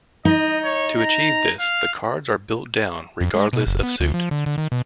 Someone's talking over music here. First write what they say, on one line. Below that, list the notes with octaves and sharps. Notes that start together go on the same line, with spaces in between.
To achieve this, the cards are built down regardless of suit.
D#4 D#5
C#5
A#5
F5
F2
G#3
B2
F#1
B3
D2
F3
D3
D3
D#3
B2